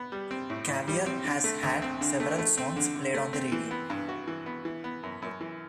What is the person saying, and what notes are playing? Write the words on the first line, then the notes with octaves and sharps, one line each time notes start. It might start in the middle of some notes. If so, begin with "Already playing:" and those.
Caviar has had several songs played on the radio.
Already playing: B3
G3
C4
A2
A2
G3
C4
D3
A3
D2
C4
D3
A3
A3
C4
D3
D3
A3
C4
E3
B3
G2
F#4
E3
B3
E3
B3
F#2
F#2
E3